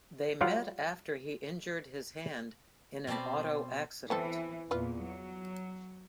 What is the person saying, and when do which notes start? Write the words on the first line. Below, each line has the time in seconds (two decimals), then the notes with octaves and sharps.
They met after he injured his hand in an auto accident.
0.41 F#3 G3 F4 D5 F5 F#5
3.07 B2 C4 D5 A5 B5
4.10 E3 B3 C4 A4
4.71 E2 A#2 F4 B4
5.01 F#3